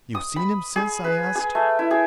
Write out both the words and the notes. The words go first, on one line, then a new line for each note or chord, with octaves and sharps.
"You've seen him since?" I asked.
D#6
B5
G#4
B4
G#4
A3
E4
G#4